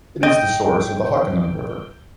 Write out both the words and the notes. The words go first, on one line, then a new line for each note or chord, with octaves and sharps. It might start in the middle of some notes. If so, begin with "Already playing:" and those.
It is the source of the Hockanum River.
D#5 G5